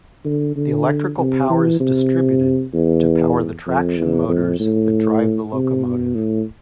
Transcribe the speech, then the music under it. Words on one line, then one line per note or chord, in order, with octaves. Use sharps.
The electrical power is distributed to power the traction motors that drive the locomotive.
D3
D3
C3
E3
C3
E2
F2
E2
F2
A2
C3
B2
A2